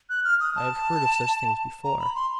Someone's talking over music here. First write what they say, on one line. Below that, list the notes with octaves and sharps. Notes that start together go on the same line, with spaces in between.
I have heard of such things before.
F#6
F6
D#6
A5
A#5
B5
C6